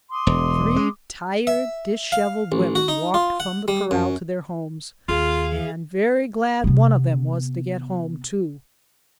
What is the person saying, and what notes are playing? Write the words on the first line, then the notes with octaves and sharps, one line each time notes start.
Three tired, disheveled women walked from the corral to their homes; and very glad one of them was to get home, too!
C6 D6 D#6
E1
G#3
E5
F5
A1
F#4
D#4
F4
F#5
G3
F#2
D#2 F4 G#4 F5
C3 B3